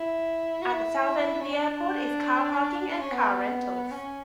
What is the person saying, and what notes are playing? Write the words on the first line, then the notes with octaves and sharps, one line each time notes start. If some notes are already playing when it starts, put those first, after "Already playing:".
At the south end of the airport is car parking and car rentals.
Already playing: E4
F#4
E4
C#4
D4
D4
C#4
B3
C#4